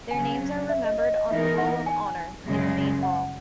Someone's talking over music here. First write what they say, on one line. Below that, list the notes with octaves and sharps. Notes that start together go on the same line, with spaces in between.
Their names are remembered on the Roll of Honour in the main hall.
C#3 F#3 C#4 G#5
E5
D#5
D#5
D#5
E3 B3 D#4 A#4 E5
F#5
G#5
F#2 C#3 G#3
F#5